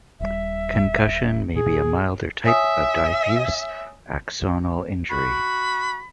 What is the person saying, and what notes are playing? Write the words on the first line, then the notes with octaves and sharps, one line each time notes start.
Concussion may be a milder type of diffuse axonal injury.
D#1 G3 E5
A#2 G#4
C#5 E5 G#5 D#6
F#4 B5